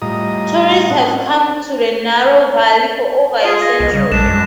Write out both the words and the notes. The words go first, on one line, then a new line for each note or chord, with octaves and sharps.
Tourists have come to the narrow valley for over a century.
A2 G3 F4 D#5 A#5 D#6
C4 C#4 D#4 A4 F#5
F4 G#4
A#6
C2 D#5
C#3 G3
A#1 G#3 D4 E7
F#2